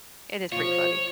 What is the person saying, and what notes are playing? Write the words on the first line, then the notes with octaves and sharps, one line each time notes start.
It is pretty funny.
F3 F4 C#5